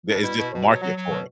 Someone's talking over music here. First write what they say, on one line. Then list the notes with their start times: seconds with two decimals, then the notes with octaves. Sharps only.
there is just a market for it.
0.08 G3 D4
0.23 B2 E4
0.37 B2
0.52 B2
0.67 F#3
0.82 F#3
0.96 F#3
1.11 B2